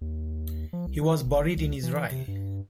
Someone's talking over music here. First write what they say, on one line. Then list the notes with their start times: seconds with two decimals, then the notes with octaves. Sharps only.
He was buried in Israel.
0.01 D#2
0.73 F3
0.86 C2
1.01 D#3
1.26 F#1
1.57 C#2
1.83 E3
2.11 C3
2.28 G2